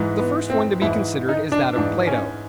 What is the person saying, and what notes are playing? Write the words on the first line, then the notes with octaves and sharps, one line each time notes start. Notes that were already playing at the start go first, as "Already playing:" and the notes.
The first one to be considered is that of Plato.
Already playing: G#2 E3
B3
C4
G#2 E3 E4
D#4
D4
G#2 E3 D4
C#4